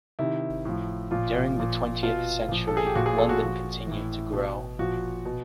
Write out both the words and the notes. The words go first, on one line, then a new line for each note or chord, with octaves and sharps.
During the twentieth century, London continued to grow.
C3 D#3 E4
A2 F3
A#2 F3 F4
A#2 F3
B2 F4
A#2 F3
A4
G#4
G4
A#2 F3 F#4
G#4
A4
F#4
A#2 F3 F#4
A2 E3
B2
A#2 F3 F#4
B2